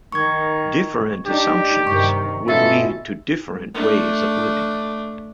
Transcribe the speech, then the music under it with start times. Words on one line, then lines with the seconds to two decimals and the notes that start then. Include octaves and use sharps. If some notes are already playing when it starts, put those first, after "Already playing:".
Different assumptions would lead to different ways of living.
0.12 D#3 C#6 G#6
1.26 D4 D#4 G4
1.87 G2 C3 D#3 C#6
2.48 B2 C#4 F4 F#4 A4 E5
3.74 A3 D4